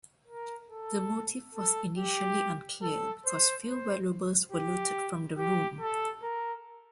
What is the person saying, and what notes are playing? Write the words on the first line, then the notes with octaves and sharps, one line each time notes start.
The motive was initially unclear because few valuables were looted from the room.
A#4
A4
A4
G4
A4
C5
C5
G4
G4
A4
A#4